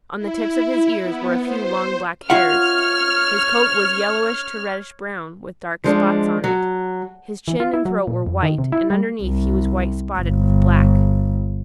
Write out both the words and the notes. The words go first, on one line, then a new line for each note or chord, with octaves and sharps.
On the tips of his ears were a few long black hairs. His coat was yellowish to reddish-brown, with dark spots on it. His chin and throat were white, and underneath he was white spotted with black.
E4
B3
C5
F4 C#5 E5 F#5 F6
F3 G#3 D4
F#3
E3
F4
E4
F#3
A#2
F2
D#3
C3
E4
G3
C2
G1